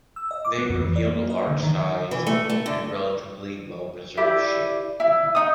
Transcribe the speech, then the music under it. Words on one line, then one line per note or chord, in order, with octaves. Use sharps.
They revealed a large-sized and relatively well-preserved ship.
E6
D#5
D6
B3
F2
E3
D5
A#3
D#5
D3
D#3
E3
A3
A3
D3
E4 G4 D5
E4
D#4 D#6